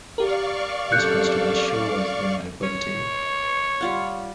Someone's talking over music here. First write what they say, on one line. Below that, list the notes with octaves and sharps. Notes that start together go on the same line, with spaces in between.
Response to the show was generally positive.
G4 A#4 D5 F5 C#6
F#2 C4 A4 F#6 G6 C#7
C#5
G3 F4 F#5